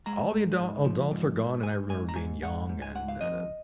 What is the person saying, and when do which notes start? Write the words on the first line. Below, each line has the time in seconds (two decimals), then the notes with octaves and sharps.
all the adult adults are gone, and I remember being young, and, uh,
0.06 G#3 A#5
0.32 G#2
0.59 G#2
0.85 F3
1.11 G#2
1.37 G#2
1.63 G#2 G#5
1.89 G#2 G#5
2.09 A#5
2.15 G#2 G#5
2.42 G#2 F#5
2.69 G#2
2.82 G#5
2.95 G#2 F#5
3.08 F5
3.21 F2 D#5